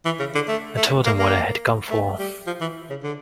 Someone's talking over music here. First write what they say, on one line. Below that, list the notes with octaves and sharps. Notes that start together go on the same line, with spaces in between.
I told him what I had come for.
E3
C#3
D3
A3
A3
A#3
A#3
A3
G3
F3
E3
C#3
D3